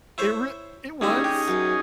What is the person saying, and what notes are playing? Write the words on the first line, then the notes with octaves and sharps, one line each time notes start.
It rea it was
E4 C5 C#5
D#2 G3 C#4 D#4 E4 G#4
G4
F#2